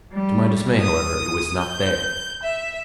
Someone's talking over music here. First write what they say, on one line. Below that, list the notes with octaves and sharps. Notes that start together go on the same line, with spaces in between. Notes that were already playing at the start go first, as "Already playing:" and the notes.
To my dismay, however, it was not there.
G3
D#6
G6
E5